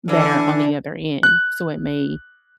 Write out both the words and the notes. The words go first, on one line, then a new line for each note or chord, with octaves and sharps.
better on the other end, so it may
D3 E3 D4
F#6